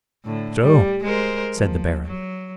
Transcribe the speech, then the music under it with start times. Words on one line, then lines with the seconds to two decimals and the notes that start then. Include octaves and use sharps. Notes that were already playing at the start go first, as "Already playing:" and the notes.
"So?" said the Baron.
0.25 A2 D3
0.59 G3
1.03 G#3 A#4 C5
1.54 F3
2.06 F#3